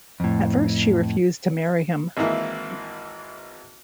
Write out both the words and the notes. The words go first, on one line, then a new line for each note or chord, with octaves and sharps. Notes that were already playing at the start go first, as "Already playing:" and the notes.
At first she refused to marry him.
F2 A2
G#1 G#2 E3 A#3 E4